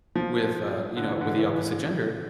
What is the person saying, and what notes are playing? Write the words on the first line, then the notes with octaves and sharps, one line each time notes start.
with, uh you know, with the opposite gender,
F3
D3
E3
D3
E3